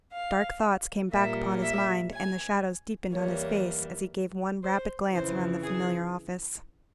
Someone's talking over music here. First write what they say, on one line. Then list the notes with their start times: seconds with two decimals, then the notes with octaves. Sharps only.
Dark thoughts came back upon his mind, and the shadows deepened on his face as he gave one rapid glance round the familiar office.
0.12 F5
1.11 A#2 G3 A#3 E5
1.62 E5
2.12 G#5
3.12 E2 E3 G3 A#3 C#5
4.62 C5
5.13 F2 C#3 E3 C5
5.62 G#4